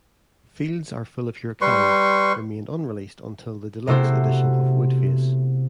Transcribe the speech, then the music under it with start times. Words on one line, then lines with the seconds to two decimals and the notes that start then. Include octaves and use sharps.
"Fields are Full of Your Kind" remained unreleased until the deluxe edition of "Woodface".
1.61 G3 B4 C6 C#6
3.87 C3 A3 B3 E4 F#4 C5